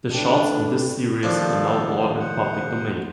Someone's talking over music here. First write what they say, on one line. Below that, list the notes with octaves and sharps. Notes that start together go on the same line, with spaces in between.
The shorts in this series are now all in the public domain.
C#2 A3 D4 A4 B4 G5
D#2 F3 D4 A4 C5 D5
C5 F#5